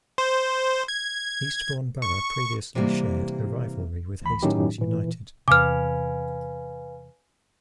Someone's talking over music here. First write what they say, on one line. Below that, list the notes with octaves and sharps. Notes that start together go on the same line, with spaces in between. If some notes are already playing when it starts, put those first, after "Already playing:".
Eastbourne Borough previously shared a rivalry with Hastings United.
C5
G#6
C#6
C3 E3 G3 G#3 A#3
D2 E3 B5
A2 D#3 F#3 C#4 D#4 G4
A#2 E3
E2 C3 B4 F5 G#5 D6 F6